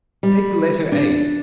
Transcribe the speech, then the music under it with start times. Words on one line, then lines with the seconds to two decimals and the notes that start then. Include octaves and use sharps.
Take the letter a.
0.23 G3
0.92 D4